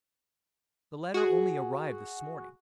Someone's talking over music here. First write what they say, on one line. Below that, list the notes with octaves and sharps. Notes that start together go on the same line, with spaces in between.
The letter only arrived this morning.
F#4 G#4